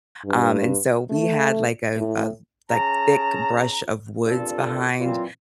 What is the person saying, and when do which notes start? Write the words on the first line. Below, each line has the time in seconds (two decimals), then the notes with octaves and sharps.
um, and so we had like a a like thick brush of woods behind
0.25 G2
1.10 A3
1.96 A2
2.70 C#4 G#4 A5 A#5
4.24 G2 A#2 C4 F4 A4
4.99 A#2 E3 F#3 C4 F4